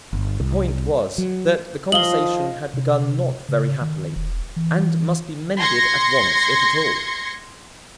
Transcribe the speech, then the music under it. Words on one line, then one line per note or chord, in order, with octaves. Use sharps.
The point was, that the conversation had begun not very happily, and must be mended at once if at all.
G1
C2
F#3
F3 D#5 F5 D#6 F#7 G7
C3
C#3
D#3
E1
E3
C6 G#6 A#6 C#7